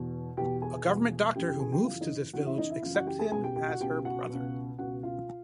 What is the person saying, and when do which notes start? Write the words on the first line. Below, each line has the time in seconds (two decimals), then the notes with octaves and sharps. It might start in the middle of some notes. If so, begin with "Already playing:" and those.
A government doctor who moves to this village accepts him as her brother.
Already playing: E2 B2
0.37 E2 B2 G4 G5
0.62 G#4 G#5
0.87 E2 B2
1.36 F#2 C#3 E3 G4 G5
1.48 G4 G5
1.60 G#4 G#5
1.72 G4 G5
1.85 F#2 C#3 E3 F4 F5
2.01 D#4 D#5
2.33 F#2 C#3 E3 F#4 F#5
2.46 E4 E5
2.58 D#4 D#5
2.70 E4 E5
2.82 F#2 C#3 E3 F4 F5
2.95 F#4 F#5
3.07 G4 G5
3.19 G#4 G#5
3.31 C#2 G#4 G#5
3.35 B2
3.44 G4 G5
3.56 G4 G5
3.68 F#4 F#5
3.80 C#2 B2 G4 G5
4.05 F#4 F#5
4.29 C#2 B2
4.78 C#2 B2 F#4 F#5
5.03 F4 F5